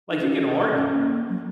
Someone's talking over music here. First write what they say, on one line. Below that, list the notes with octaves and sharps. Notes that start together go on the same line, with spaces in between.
like, you can argue
D#4
C#4
C#4
A#3
F#3